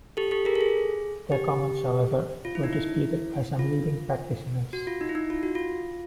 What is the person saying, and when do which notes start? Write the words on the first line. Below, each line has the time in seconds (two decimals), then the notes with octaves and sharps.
Their comments, however, were disputed by some leading practitioners.
0.17 G4 A4
0.31 G4 A4
0.45 G#4 A#4
0.55 A4
0.61 G#4
1.32 G4
2.45 F4
2.55 E4
2.64 D#4
2.73 E4
3.59 F4
4.73 F#4
4.87 F4
5.01 D#4
5.09 E4
5.15 D#4
5.30 F4
5.43 F#4
5.55 F4